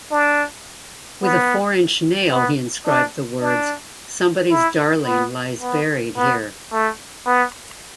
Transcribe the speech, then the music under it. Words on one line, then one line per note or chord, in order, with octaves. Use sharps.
With a four-inch nail he inscribed the words Somebody's Darling lies buried here.
D4
B3
B3
D4
D4
E4
B3
B3
B3
A3
B3